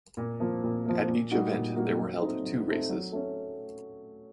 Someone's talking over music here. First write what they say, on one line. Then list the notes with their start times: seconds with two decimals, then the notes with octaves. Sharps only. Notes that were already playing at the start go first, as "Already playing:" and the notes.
At each event there were held two races.
0.17 A#2
0.40 F3 A#3
0.63 A#2
0.86 F3 A#3
1.08 A#2
1.31 G3 A#3 D#4 F#4
1.53 A#2
1.76 G3 A#3 D#4 F#4
1.99 F#3
2.22 A3 C4 D#4
2.44 F#3
2.67 A3 C4 D#4
2.89 F#3
3.12 A3 C#4